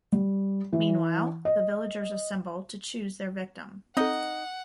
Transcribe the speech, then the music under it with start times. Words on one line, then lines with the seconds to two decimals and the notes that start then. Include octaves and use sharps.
Meanwhile the villagers assemble to choose their victim.
0.12 G3
0.73 E3
1.45 D#5
3.97 C4 D#4 A4 D#5 F#5